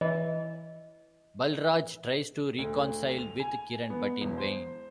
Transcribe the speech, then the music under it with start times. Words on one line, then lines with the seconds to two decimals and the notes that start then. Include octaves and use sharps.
Balraj tries to reconcile with Kiran, but in vain.
0.01 E3 D#5
2.59 D2
3.19 F7
3.40 G#5
3.90 B3
4.21 E1
4.38 C5